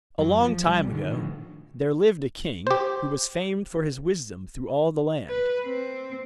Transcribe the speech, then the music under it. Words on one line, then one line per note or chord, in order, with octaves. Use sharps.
A long time ago there lived a king who was famed for his wisdom through all the land.
F#2 F#3
E3 F3
B1 G3
B2 D3 D#3
A2 D3 D#3 F3
G4 C5
B4
C4